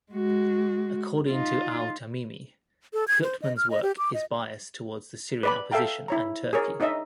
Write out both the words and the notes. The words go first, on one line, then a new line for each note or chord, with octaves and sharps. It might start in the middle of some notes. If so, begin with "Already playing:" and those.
According to Al-Tamimi, Gutman's work is biased towards the Syrian opposition and Turkey.
G#3 F#4
D#4 F4
A4
G#6
C5
D#5
F6
D#5
G4
D6
D#5
B4 D5 B5
A4 E5 F5 G5 A#5
E4 C#5 A#5
G#4 A#4 C#5
D4 D#4 C#5 D#5 E5